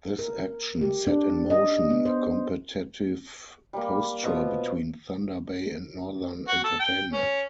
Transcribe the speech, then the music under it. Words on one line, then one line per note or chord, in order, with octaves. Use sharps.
This action set in motion a competitive posture between Thunder Bay and Northern Entertainment.
A#4
G4
D4
D#5
B3
C5
G3 A#3
B2 F3
F#4
A4
G5
C#4